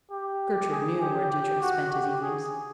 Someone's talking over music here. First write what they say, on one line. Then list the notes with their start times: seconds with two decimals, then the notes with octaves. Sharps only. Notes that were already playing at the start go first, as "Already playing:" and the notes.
Gertrude knew where Dietrich spent his evenings.
0.11 G4
0.71 G#4
1.01 G4
1.32 G4
1.62 F#4
1.92 G4
2.22 G#4